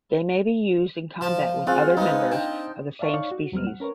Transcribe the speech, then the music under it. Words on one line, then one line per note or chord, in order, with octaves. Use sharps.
They may be used in combat with other members of the same species.
F3 A5
G#3 C4 F4 F#5
G#3 B3 D#4
D4 G5
D5 E5 F5 A5 C#6
D#4 C#5 D5 F5 C#6
F#4
E2 F#3 G3 C4 F6
F#5
C#4 A#4 B4 C#5